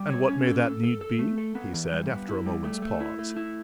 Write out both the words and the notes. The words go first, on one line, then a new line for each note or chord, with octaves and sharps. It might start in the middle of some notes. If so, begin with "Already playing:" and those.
"And what may that need be?" he said, after a moment's pause.
Already playing: G3
C#5
C#4
A4
A4
A4
A4
A3
A4
B3
E3
G3
B3
E4
G3
A3
A3
E4
A3
E4